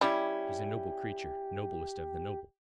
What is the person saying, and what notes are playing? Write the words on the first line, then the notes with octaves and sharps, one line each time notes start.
She's a noble creature, noblest of the noble.
G3 C#4 E4 G4